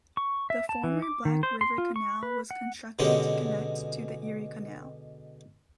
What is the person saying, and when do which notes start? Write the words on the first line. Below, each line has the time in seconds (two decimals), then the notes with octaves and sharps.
The former Black River Canal was constructed to connect to the Erie Canal.
0.17 C#6
0.50 E5
0.69 A5
0.84 E3
1.02 D6
1.25 D#3
1.43 C5
1.61 C6
1.78 F4
1.96 C#6
2.23 B4
2.51 F#5
2.99 B2 D3 G#3 C#4 G4